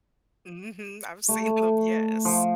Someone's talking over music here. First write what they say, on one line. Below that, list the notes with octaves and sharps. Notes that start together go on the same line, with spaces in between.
Mhm, I've seen them, yes.
A3
F3